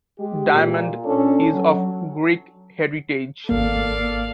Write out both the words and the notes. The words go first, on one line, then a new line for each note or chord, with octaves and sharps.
Diamond is of Greek heritage.
G#3 G4
A#2
C#4 D4 A4
F#3
G#1 A#3 A4 D5 F5